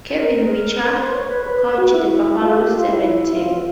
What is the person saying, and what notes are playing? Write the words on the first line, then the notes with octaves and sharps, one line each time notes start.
Kevin Whitcher coaches the Buffaloes sevens team.
A#4
B4
C5
C#5
B4
B4
F#4
E4
F4
G4
F4
E4
E4
F4
F4